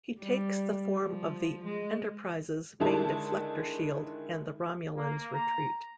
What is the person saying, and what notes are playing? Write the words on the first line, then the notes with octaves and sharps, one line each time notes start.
He takes the form of the "Enterprise"s main deflector shield and the Romulans retreat.
G3
F3
G#3
D3 D#3 G#3 E4 A5
A#3
A#5